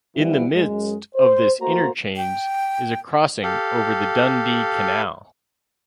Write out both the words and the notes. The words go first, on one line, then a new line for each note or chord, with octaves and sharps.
In the midst of this interchange is a crossing over the Dundee Canal.
E3 F3 G3 B3 E4
F#2 G#3
C5
A3 A#3 F#4 C5 A#5
G5
G4 A4 F5